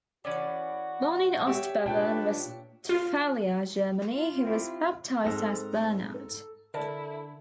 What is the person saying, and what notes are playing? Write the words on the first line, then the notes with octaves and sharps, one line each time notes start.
Born in Ostbevern, Westphalia, Germany, he was baptized as Bernard.
E3 C#4 F#4 D5
G4 C#5 E5
A#2 D4 B4 G5
F4
F4
C4 E4 G4
G#2 C4 A4 A#5
D3 E4 A4 A#4 D5 A5